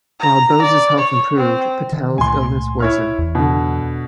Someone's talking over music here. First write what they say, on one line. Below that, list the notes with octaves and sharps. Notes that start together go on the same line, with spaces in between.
While Bose's health improved, Patel's illness worsened.
A#5
D5
C#5
C4
D3 D#3
C#2 A#2 A3 G#5 C6
E4 C#5 F6
E2
B2 D3